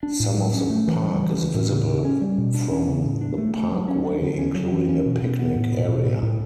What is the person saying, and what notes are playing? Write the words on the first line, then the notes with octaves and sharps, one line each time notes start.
Some of the park is visible from the Parkway, including a picnic area.
D4
A2
F#3
C#4
A3
E3
G3
E3
E3
A2
C#3
C#3
C#4
G3
B2
D4
C#4
C#3
A2
D4
A3
A3
F#3
C#4
D4
D3
C#4
F#3
E3
C#4
B2
B2
B3
A2
B2
B2
A2
A2